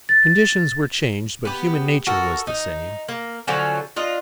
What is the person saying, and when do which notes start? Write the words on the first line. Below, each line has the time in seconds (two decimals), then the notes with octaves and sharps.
Conditions were changed, but human nature was the same.
0.09 A6
1.45 B3 G4
2.07 F#4 A4 A#4
2.47 D#4
3.09 A#3
3.47 D3 F3 F#3 C#4
3.96 D4 F4 D#5